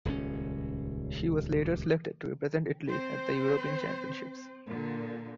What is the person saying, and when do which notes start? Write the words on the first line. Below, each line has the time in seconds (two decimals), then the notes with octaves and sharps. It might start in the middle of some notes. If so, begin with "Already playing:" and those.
She was later selected to represent Italy at the European Championships.
0.05 D#1 C#2 D3 C#4
2.86 C4 C5
4.69 A#2 D3